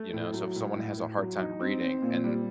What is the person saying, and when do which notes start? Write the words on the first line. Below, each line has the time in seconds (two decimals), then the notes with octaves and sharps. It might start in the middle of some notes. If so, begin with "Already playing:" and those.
you know, so, if someone has a hard time reading and
Already playing: A3
0.13 A2
0.33 F#3
0.55 A2
0.75 A2
0.97 A2
1.18 F#3
1.39 D#4
1.60 C4
1.81 C4
2.02 A#2
2.24 G3